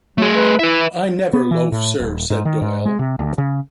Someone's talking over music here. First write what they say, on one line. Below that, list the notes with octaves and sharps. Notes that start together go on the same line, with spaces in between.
"I never loaf, sir," said Doyle.
F#3 A3 G#4
B4
E4 B4 E5
B3
E3
A2
D#1
G#2
D#3
G#2
G#3
C3
D2
C#3